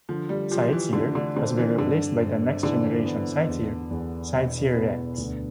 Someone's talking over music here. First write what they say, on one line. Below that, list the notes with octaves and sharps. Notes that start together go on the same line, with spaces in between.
CiteSeer has been replaced by the Next Generation CiteSeer, CiteSeerX.
D3 F3
G3
F3 G4
E3
D3 A3
D3
D3 C4
E3
G2 D3
G2
D3 E3
B3
E2
E2
B2
B3
D2